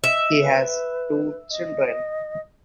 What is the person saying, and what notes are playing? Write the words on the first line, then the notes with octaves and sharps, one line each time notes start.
He has two children.
D#5 E5
B4
D#5